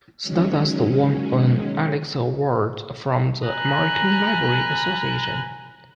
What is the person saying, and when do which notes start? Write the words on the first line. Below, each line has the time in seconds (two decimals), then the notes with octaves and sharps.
"Stardust" won an Alex Award from the American Library Association.
0.22 D#3 F#3 G#3 C#4
3.46 G#5 A#5 B5 F6 F#6